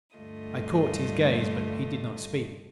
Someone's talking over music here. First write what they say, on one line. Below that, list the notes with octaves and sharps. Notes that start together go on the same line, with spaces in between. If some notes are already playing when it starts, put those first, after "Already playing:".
I caught his gaze but he did not speak.
D2 G2 G3 A3 F4 D#5